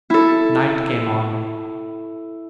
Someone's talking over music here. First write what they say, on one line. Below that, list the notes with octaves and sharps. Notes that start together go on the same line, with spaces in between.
Night came on.
E4 A4